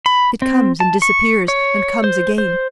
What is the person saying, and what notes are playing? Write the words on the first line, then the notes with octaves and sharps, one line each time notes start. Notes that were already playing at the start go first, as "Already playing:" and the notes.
It comes and disappears, and comes again.
B5
C4
A5
C#6
C#5
C5
C5